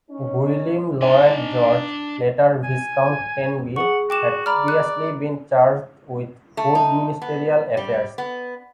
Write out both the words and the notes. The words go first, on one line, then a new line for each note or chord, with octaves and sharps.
Gwilym Lloyd George "later" Viscount Tenby had previously been charged with Food ministerial affairs.
C#4 D#4
D4 D#4 G#5
G#5
G#4 F#5 C#6
F#4 G5 D6 E7
D5 A#5 B5 F6
F#6
A3
D#4
B3
G3
B3